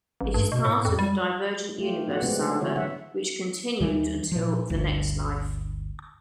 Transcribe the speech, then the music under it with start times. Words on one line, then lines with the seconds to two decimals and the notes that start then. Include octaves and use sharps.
It is part of the "Divergent Universe" saga which continued until "The Next Life".
0.21 A1
0.34 G2
0.52 B2
0.65 A2
0.85 F2
0.99 G3
1.78 A3 F4 G4
2.08 F3 B3 F#4 D5 F#5
2.22 C#3 G#3 A3 B3 C4
2.39 A3 D4 G#4
2.61 D3 E3 E4 F#4 C#5
2.76 F#3 E5 F#5
3.80 D#2 E3 G3
4.32 A#2 F3
4.70 G1 D2